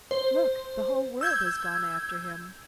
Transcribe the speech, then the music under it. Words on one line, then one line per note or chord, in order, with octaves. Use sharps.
"Look, the whole world has gone after him!"
C5
E6 G6 G#6